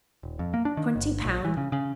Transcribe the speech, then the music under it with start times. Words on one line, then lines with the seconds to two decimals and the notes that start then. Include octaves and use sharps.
Twenty pounds!
0.23 D#1
0.39 F2
0.54 A#3
0.65 D4
0.77 D#3
0.96 G1
1.25 A#1
1.45 E3
1.57 C#3
1.72 C#3